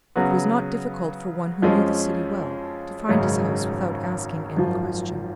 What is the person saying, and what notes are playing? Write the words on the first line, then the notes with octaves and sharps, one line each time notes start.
It was not difficult for one who knew the city well, to find his house without asking any question.
C#3 F#3 B3 F#4
F2 F3 G#3 C#4
G#1 F#2 C#3 G#3 C#4
G#1 F#2 F3